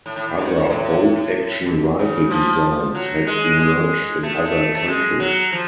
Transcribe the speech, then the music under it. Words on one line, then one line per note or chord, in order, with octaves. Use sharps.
Other bolt-action rifle designs had emerged in other countries.
A2
A2
A2
G#2
A2
B2
C#3
F3
F#3
G#3
G#3
A3
G#3
A3
A3
G#3
F#3
F3